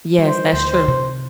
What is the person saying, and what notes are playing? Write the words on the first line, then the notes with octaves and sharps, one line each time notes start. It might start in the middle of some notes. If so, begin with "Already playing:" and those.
Yes, that's true.
G3 C5
D2
C3